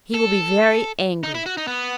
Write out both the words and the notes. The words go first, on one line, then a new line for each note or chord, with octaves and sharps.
"He will be very angry."
A4
D#4
E4
F#4
D#4
B3